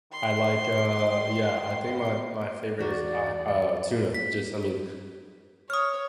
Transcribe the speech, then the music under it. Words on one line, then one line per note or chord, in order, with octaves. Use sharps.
I like, uh yeah, I think my my favorite is, uh uh, tuna, just I mean,
D#3 C6
E2 F#4 A#4 D5
B6
C#5 D#6 F6